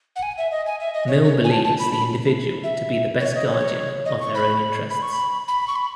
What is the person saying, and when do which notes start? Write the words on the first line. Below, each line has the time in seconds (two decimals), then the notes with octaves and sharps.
Mill believes the individual to be the best guardian of their own interests.
0.16 F#5
0.23 G#5
0.38 E5
0.52 D#5
0.66 G#5
0.80 E5
0.94 D#5
1.08 C#5
1.23 C#5
1.44 G#5
1.51 A5
1.64 A5
1.79 B5
1.93 B5
2.64 E5
3.20 C#5
3.35 D#5
3.49 C#5
4.05 D#5
4.20 C#6
4.35 B5
4.90 B5
5.02 C#6
5.13 B5
5.48 B5
5.68 C#6
5.76 B5